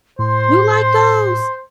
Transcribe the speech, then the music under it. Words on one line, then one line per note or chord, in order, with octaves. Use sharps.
You like those?
A2 C5 C6